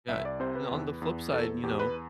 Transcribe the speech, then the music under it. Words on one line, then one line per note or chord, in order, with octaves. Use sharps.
Yeah, and on the flip side, you know,
C2 E5
D5
C3 C5
B4
E2
E2
E2 A4
E2 G4
B4